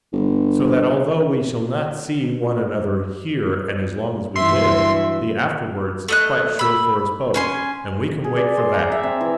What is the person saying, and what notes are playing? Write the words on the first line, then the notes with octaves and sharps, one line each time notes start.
So that although we shall not see one another here and as long as we live, the afterwards is quite sure for us both. And we can wait for that.
G1
G2 E3 F#3 E5 C6
A3 D#5 F#6
B5 E6
C#4 G#5 C6
G#4
D5
C6
A#5
E5
C4
E3